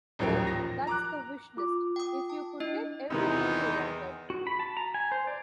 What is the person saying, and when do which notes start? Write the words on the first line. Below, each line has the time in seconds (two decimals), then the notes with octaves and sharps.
So, that's the wish list, if you could get everything you wanted.
0.19 D#1 A1 F#2 F3 A#3 G5
0.47 F3 A#6
0.87 A#5 D6 F#6
1.57 F4 D6
1.96 G5 D#6
2.30 A5
2.60 D4 E4 D#5
3.10 E2 C3 D#3 E3 D#4
4.30 F#4
4.47 B5
4.60 A5
4.77 A#5
4.94 G#5
5.12 C5
5.27 D5